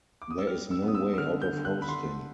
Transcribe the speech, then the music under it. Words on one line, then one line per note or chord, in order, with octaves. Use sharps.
There is no way out of hosting.
D6
D#6
E6
G3 F6
E6
B3
D#6
E6
E6
D3 F6
G6
D3
F#6
B5
D3 C6